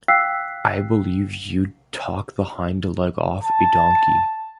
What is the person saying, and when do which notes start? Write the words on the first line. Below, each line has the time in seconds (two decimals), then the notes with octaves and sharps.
I believe you'd talk the hind leg off a donkey.
0.08 F5 G5 E6 F#6 B6 C7
3.43 A5